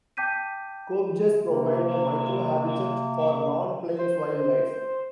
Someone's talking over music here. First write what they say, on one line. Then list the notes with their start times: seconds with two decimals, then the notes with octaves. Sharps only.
Kopjes provide a microhabitat for non-plains wildlife.
0.17 G5 A5 D6 G6 B6 D#7
1.47 C3 A#3
3.98 C5